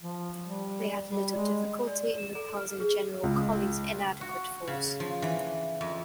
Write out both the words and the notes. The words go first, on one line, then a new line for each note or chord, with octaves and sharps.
They had little difficulty in repulsing General Colley's inadequate force.
F3
G3
G3
G#3
D5
E7
A4
F6
G#4
C#2
F#4
C#3
F3
E3
F2